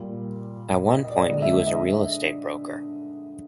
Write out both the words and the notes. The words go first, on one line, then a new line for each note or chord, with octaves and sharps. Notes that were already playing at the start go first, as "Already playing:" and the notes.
At one point, he was a real-estate broker.
Already playing: A#2 G3
D#5
D#5
D5
D#5
D3 F3 G#3 D#5
E5
E5
D#5